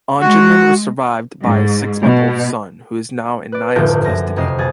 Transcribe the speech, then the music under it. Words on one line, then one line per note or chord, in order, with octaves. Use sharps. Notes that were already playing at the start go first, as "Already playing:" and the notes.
Anjuman was survived by a six-month-old son, who is now in Neia's custody.
G#3 F#4
G#2
B2
B4 D5
F1 C2 A2 D3 F4 G6
G1
F#2 A#6
F2 C3 D#5 C7
B1 G#4 A6